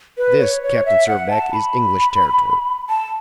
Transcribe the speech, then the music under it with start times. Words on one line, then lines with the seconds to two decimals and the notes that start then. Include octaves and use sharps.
This, Captain Servadac, is English territory.
0.18 B4
0.40 C#5
0.63 C#5
0.86 E5
1.08 F#5
1.30 A5
1.53 B5
2.89 A5